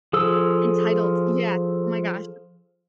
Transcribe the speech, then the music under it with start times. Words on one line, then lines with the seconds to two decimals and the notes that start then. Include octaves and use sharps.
Entitled, yes, oh my gosh.
0.13 F3 G#4 A4 E6